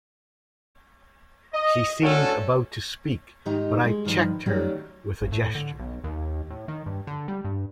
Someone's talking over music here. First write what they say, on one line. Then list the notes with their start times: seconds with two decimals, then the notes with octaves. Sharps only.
She seemed about to speak, but I checked her with a gesture.
1.54 D#5
2.03 A3 C#4 D4 F#4 A4
3.45 G#2 D#3 D#4 G4 D#5 A#5
3.85 G#3
4.05 G2 D#3 F3
4.46 D#3 F#3 G3 A3 C#4
5.21 G#1
5.32 A2
5.55 D3
5.80 B1
6.04 D#2
6.50 A2
6.68 D#3
6.86 G2
7.07 D3
7.28 G3
7.44 G2